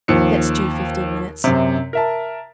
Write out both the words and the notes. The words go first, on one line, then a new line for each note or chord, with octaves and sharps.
Let stew fifteen minutes.
D#2 F3 C#7
F#2 C3
A#4 E5 A5